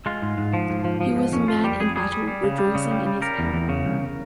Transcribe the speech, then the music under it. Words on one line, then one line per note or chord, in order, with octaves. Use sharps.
He was a man in battle rejoicing in his power.
G#3 F4
G#2
G#2
F3
G#2
F3
F3
G#2
F2 C#4
F2 F4
G3 G4
F2 G#4
G3 G#4
G3
G3
C#3
G3
C#3
G3
G3
G3 A#4
E2
E2
C#3
C2